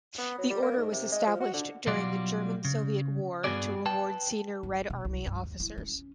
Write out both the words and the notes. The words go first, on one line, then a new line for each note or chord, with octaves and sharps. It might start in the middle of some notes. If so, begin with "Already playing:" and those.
The Order was established during the German-Soviet War to reward senior Red Army officers.
B3
F#3
G3
A#3
G#2
C3
G#3
F3
F#4
D3
B2 F#3 G3 F4 F#4 D5
C#3
G2 C#3 B3 F#4 G#4 D5
B4 G5 A5
G1
B2
C2
G2
D#2
E4
C#4